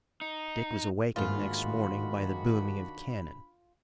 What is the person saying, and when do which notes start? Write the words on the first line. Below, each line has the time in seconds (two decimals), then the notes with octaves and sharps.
Dick was awakened next morning by the booming of cannon.
0.21 D#4
1.16 D2 G#2 D#3 A#3 D4 F4 F#4 B5